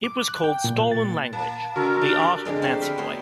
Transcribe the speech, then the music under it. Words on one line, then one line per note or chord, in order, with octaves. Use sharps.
It was called "Stolen Language - the art of Nancyboy".
D6
F#6
G5
A#2
A6
A#3 A5
C#3 F#4 A4 A#4
D4 G4
F2 D3 G#3 A#4
C4 D4 F#4 G4 C5
A#4 B4 E5 F5 G5
A3 B3 F#4 C5 C#5